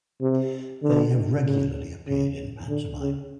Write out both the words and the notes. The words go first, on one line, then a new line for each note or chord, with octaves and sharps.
They have regularly appeared in pantomime.
C3
D3
C#3
C#3
D3
C#3